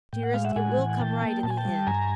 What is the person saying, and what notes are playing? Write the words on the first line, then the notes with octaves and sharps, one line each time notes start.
Dearest, it will come right in the end.
A2 G5
F#5
G#3 F5
E5 F#5
A2 F#5 G#5
E3
A#2 G5 A5
A#3
A#2 A5
G#5
G5 A5
G3
G2 G#5 A#5